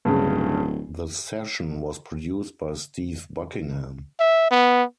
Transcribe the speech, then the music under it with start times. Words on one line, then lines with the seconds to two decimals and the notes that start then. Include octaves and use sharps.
The session was produced by Steve Buckingham.
0.05 D1 G2 C#3
4.20 E5
4.51 B3